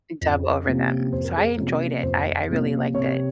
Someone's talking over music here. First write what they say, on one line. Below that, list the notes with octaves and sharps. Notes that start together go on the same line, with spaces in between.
dub over them, so I enjoyed it, I I really liked it.
F2
C3 F3 A#3 C#4
F2 C5
A#4
G#4
A#4
C3 F3 A#3 C#4
F2 C5
C3 F3 A#3 C#4
C3 C#5